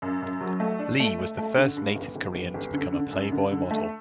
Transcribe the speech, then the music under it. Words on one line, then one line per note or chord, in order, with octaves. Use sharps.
Lee was the first native Korean to become a Playboy model.
F#2
F#2
F#3
A3
D4
A3
A3
A3
D3
G2
G1
G1
G1
G1
D3
D3
F#2
D3
D3
A3